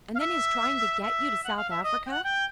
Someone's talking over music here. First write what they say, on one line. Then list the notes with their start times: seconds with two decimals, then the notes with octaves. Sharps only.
And then his trying to get you to South Africa.
0.15 F5
0.20 E5
1.02 E5
1.44 F#5
1.57 F5
1.70 E5
1.83 D#5
2.06 G5
2.10 F#5
2.24 G5